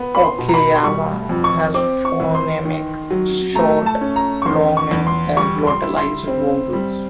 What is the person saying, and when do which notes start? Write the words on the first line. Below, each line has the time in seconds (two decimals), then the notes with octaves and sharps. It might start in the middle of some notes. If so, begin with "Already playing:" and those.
Oowekyala has phonemic short, long, and glottalized vowels.
Already playing: B3
0.15 B5
0.24 C6
0.39 B2
0.49 A#5
0.54 B5
0.75 C6
0.83 G3 C#6
1.29 F2
1.44 C#6
1.74 C4 D6
2.05 C#6
2.20 E3
2.35 C6
2.65 D#3
3.10 F#3
3.55 A3 A#5
3.86 A5
4.01 C#4
4.16 A#5
4.42 C#6
4.46 E2 C6
4.77 C#6
4.91 E2
5.07 C6
5.37 G3 C#6
5.67 C6
5.82 E4
5.97 C6
6.28 C4
6.73 G3